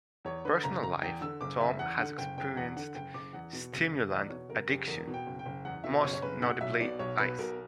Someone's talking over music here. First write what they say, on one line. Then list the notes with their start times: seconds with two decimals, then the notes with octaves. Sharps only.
Personal Life: Tom has experienced stimulant addiction, most notably 'Ice'.
0.25 E2 C#5
0.45 D3 B4
0.63 F#1 A#5
0.83 F#1 A#5
1.02 E2 G5
1.21 D3 E6
1.41 F#1 D6
1.60 F#1 E5
1.79 E2 F#5
1.98 D3 F#5
2.18 F#1 G5
2.38 F#1 G5
2.56 E2 F#5
2.76 D3 F#5
2.95 F#1 G5
3.14 F#1 D6
3.33 E2 F#5
3.53 B2
3.73 F#1
3.92 F#1
4.10 E2 D5
4.29 B2 C#5
4.49 F#1 A#4
4.68 F#1 G4
4.87 E2 A#4
5.07 B2
5.14 G5
5.26 F#1
5.39 G5
5.46 F#1
5.65 E2 F#5
5.84 B2 E5
6.03 F#1 C#5
6.13 C#5
6.22 F#1 B4
6.42 B2 F#5
6.61 B1 E5
6.80 B2 D5
6.99 B1 C#5
7.19 B2 B4
7.38 B1 A#4